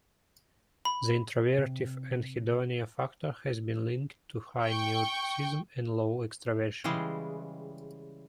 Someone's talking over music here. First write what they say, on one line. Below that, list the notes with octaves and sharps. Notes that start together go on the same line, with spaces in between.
The introvertive anhedonia factor has been linked to high neuroticism and low extraversion.
B5
C3
G5 C#6
C#3 E3 G3 G#3